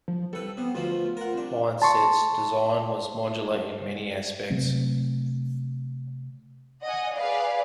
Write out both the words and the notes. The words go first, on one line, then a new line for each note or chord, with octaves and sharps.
Mindset's design was modular in many aspects.
F3
C2 A4 B4
C3 B3
D2 B2 F3 F4
A#4 F#5
C2 D4
A5 C6 C#6
C3 F#3 A3 C4
D#5 F#5 G#5
G#4 B4 D5 F5